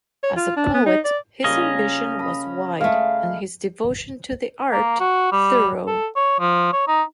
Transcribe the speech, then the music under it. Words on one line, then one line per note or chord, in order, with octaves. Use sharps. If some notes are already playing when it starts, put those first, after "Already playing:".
As a poet, his ambition was wide and his devotion to the art thorough.
C#5
F4
D4
B3
D#4
D5
C#3 G3 A#3 C#4 F4 D#5
B5 D#6
G#3 A3 F5
A#3
F#4
G3
A4
C#5
F3
C#5
D#4